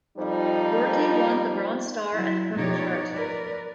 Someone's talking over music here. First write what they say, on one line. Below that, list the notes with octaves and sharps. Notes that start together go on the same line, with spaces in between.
Borghi won the Bronze Star and the Purple Heart.
F2 F3 G3 D#4
F#3 E4
B2 F3 D#4 G4 C#5 D5
A#4 B4 D5